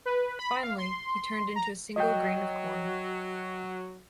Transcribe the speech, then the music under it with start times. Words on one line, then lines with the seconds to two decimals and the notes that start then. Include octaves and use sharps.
Finally, he turned into a single grain of corn.
0.06 B4
0.39 B5
0.63 F5
0.78 C6
1.56 A#5
1.96 F#3 F#4 D#5 G5